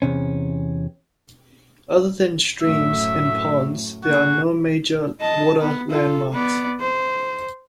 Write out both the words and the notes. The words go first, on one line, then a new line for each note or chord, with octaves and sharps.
Other than streams and ponds, there are no major water landmarks.
E2 C3 C#4
F#2 A2 A3 E5
C#3 A#3 F#4 G#4
D#5 A5
B3
F4 A4
B3 D5
C5